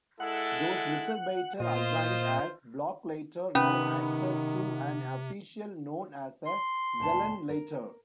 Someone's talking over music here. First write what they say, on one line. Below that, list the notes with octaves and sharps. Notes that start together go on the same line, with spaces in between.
Those "Mitarbeiter" assigned as "Blockleiter" now answered to an official known as a "Zellenleiter".
G#3 E4 A4 F#5
A#2 F4 C5 D#5
C3 D#3 B3 C#4
C6
D2 A#2 A5
A#4